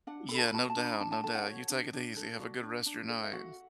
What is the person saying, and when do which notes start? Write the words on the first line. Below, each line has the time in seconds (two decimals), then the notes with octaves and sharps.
Yeah, no doubt, no doubt. You take it easy. Have a good rest of your night.
0.07 D4 F#5
0.29 A4 B5
0.38 A5
0.48 B5
0.54 F#4 A5
0.70 A5
0.77 D4
0.85 B5
1.00 D4 A5
1.12 A5
1.24 A4 A5
1.35 F#5
1.47 F#4 C#5
1.70 D4
1.93 D4
2.17 A4
2.39 F#4 D5
2.63 D4
2.86 D4
3.09 A4
3.24 E5
3.33 F#4 F#5